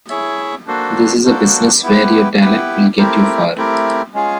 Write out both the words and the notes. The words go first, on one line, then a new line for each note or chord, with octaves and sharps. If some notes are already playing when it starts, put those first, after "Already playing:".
This is a business where your talent will get you far.
E4 G#4 C#5 E5
A#3 D4 F#4 A4 C5
A#3 D4 F#4 A4 C5
B3 E4 G4 B4
B3 E4 G4 B4
A3 C4 E4 G4 A#4
A3 C4 E4 G4 A#4
G#3 C#4 F4 G#4